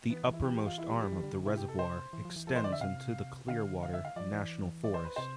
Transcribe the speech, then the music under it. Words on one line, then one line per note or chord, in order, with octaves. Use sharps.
The uppermost arm of the reservoir extends into the Clearwater National Forest.
E3 B3
E3
E4
E3 G4
G4
F4
E4
G3
G3
E3
D3
D3
C3 E4
G4
A4
C5
E3
F3
E3
F3 A4
E3 C5
D5
D3 E5
C3 F5
D3 F5
F5
E5
F5
F3 D5
E3
D5
C5
B4
C3 C5